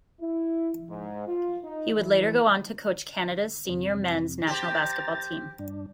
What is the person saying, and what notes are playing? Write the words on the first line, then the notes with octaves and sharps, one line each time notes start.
He would later go on to coach Canada's senior men's national basketball team.
E4
G#2
F4
D#4
E3
F2 C3
G4 C5 A#5 A6
G2 D4